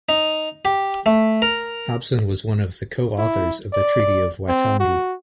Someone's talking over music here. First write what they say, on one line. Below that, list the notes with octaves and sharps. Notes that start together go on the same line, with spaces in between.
Hobson was one of the co-authors of the Treaty of Waitangi.
D#4
G4
A3
A#4
E4
D5
C4
F#4